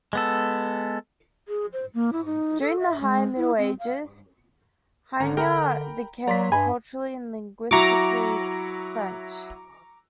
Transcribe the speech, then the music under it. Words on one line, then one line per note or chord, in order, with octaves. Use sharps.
During the High Middle Ages, Hainaut became culturally and linguistically French.
G#3 B3 A4
G#4
C5
A#3
E4
D#4
A4
E5
G#3
E4
C4
F5
G#1 D3 C#4 A#5
A#4 G5 A#5 B5
F#3 D5 A#5 C6 B6
G2 D#5 G#5 B5
F#3 E4 F#4 A#5 C#6 D6